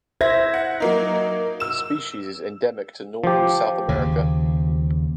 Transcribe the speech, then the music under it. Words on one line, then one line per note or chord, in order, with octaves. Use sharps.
The species is endemic to northern South America.
C5 E5 G#6 A#6
F#5
F#3 A#3 D#4
E6 E7
F3 G4
D#2 C#3